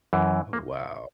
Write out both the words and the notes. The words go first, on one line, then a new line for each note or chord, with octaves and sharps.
Oh, wow.
F#2 E3
A#3